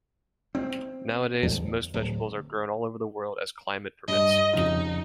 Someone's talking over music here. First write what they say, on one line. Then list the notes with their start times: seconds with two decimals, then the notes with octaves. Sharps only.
Nowadays, most vegetables are grown all over the world as climate permits.
0.55 C4
1.43 E2
1.94 D1
4.08 G2 D#5
4.53 F2 C#3 D#4 F4